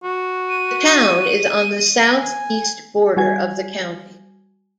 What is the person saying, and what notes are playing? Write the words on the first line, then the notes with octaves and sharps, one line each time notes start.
The town is on the southeast border of the county.
F#4
D#7
G#5
G3 F#4 G#5 G#6